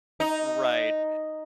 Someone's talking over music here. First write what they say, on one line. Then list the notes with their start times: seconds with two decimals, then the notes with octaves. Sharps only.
Right, a
0.20 D#4